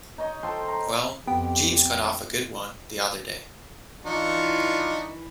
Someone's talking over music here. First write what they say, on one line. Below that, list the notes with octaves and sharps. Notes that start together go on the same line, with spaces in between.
Well, Jeeves got off a good one the other day.
D#4 C#5 D#5
F3 A4 G5 C6
A#5 C#6
F2 B3 G4 G5
E3 D4 D#4 F4 C#6